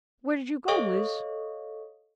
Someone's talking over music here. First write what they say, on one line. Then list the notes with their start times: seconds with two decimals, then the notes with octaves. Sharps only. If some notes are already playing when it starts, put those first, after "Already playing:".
'Where did you go, Liz?'
0.68 A4 C#5 D#5 F5 C#6 D#6